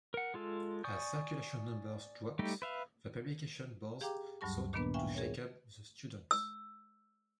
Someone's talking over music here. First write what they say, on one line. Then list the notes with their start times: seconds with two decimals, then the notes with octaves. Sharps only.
As circulation numbers dropped, the publications board sought to shake up the Student.
0.14 A#4 F#5
0.34 G#3 F4 A4
0.84 D5 G#5 C#6 D#6 G6
2.39 G3 A3 D#4 G4
2.62 B4 E5 F5
4.01 G4 G#4 F5 G5 A#5 D6
4.41 D2 G2 F#3 G3 A5 C#6
4.73 A#2 D#3 A#3 B3 D4 B4
4.94 E5 F5 G5 G#5 C#6
5.15 G#4 A#4 C#5
6.31 E6